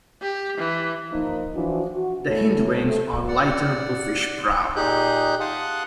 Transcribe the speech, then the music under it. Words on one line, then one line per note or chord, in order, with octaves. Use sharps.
The hindwings are lighter buffish brown.
G4
E3
F3 A#3 D#4
E3 F3 D4 E4 F#4
F#4
E2 A3 E4 C#5
C3 F3 A3
D5 F#5
A#2 D#4 G4 G#4 F#6 G6
F5 F#5 A5 C6 D#6 F#6